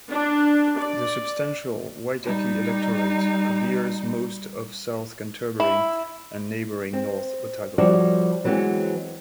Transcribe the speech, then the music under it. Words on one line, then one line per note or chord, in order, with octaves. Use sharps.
The substantial Waitaki electorate coveres most of South Canterbury and neighbouring North Otago.
D4
D5
G3 D#4
E4
C4
F3 G3 F#4 A4 C#5 D5
E3 F#3 G#3 B3 C4